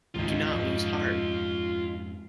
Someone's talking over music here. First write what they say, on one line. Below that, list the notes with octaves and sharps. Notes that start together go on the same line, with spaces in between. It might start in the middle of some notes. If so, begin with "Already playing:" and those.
Do not lose heart!
C#2 G#2 D#3 F4 D#5
F2 G#2